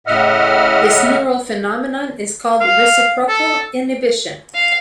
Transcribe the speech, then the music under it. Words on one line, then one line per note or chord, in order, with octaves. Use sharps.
This neural phenomenon is called reciprocal inhibition.
A2 C#3 D#5 E5 F#5 F6
F5
A4
F5